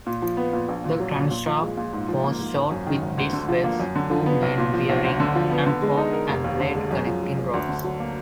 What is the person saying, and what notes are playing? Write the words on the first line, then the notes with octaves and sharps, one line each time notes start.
The crankshaft was short with disk webs, two main bearings and fork-and-blade connecting rods.
A#2
F3
B3
A#2
A#1
A#2
F#3
A#1
A#2
F3
G#3
A#2
G#2
F3
A#3
G#2
G#1
F#2
D#3
G#1
D2
D3
F3
A#3
F#2
D3
F3
B3
B1
A#2
F3
B1
D2
D3
F3
B3
D3
G#3
D#4
A#4
F1
D#2
D3
G#3
F#2
F3
G#3
F#2
D2
D3
F#3
A#3